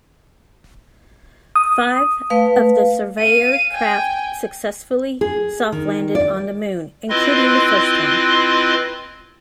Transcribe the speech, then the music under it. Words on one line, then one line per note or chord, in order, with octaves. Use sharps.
Five of the Surveyor craft successfully soft-landed on the moon, including the first one.
D#6
A3 B4 F5
F5 D#7
G5 G#5
G#4
D#3
D5
C4 E4 F4 B4 D#5 C6